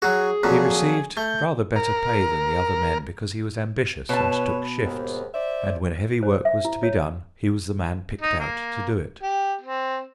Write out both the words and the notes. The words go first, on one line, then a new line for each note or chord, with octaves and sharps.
He received rather better pay than the other men because he was ambitious and took shifts, and when heavy work was to be done he was the man picked out to do it.
F#3 F#4 G#4
F2 A#2 F#3
A3 G6
A#4
B2 B4 C#5 A5
D#2 G#2
C5 D5 E5
C5
E5
E4
C#5
D#4
A#3
G4
C4